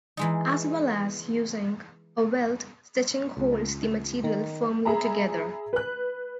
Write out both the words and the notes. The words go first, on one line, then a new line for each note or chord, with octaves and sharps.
As well as using a welt, stitching holds the material firmly together.
E3 G#3 D#4
C#2
D#3
G#4 E5 A#5 B5
B4 F#6